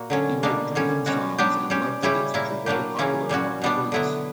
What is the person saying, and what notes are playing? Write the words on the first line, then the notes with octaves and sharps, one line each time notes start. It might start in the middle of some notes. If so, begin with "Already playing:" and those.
He wrote drinking songs and love ditties which are very popular among the Greeks.
Already playing: A#2 A#3 F#4
D3 F#3 C#4
B2 G3 A#3 D4
D3 G3 C#4
B2 G3 C#4 F#4
F#3 B3 D4 G4
G3 C#4 G4
C#3 G3 C#4 E4 G4
A#2 A#3 E4
F#3 A#3 D4 G4
C#3 E3 A#3 C#4 E4
A#2 G3 C#4 F#4
B2 G3 B3 D4
D3 F#3 B3 E4